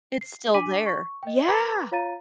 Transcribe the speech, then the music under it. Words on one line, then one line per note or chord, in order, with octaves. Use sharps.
It's still there, yeah.
C7
D4 G#5 D6 B6 D#7 F#7
C#6
D#5 G5
B4 A#5 B5 D6 G#6
F4 C#5 F5 A#5 A6 D#7